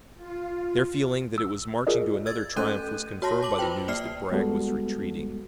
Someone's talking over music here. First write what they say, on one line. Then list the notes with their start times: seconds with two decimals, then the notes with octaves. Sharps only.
Their feeling that it was marching to another triumph was confirmed by the news that Bragg was retreating.
0.15 F4
1.38 E6
1.87 F4 G#4 A#4 D5 D#5
2.26 E6 G#6 A6
2.56 A3 C#4 A4 F#6 G6 D#7
3.22 F#4 C#5 A5 C6 A#6
3.42 A5 D6 F#7
3.59 F4 B4 C5 G5
3.88 A#3 D5 F6 C7
4.32 G3 G#3 B3 F#4 A4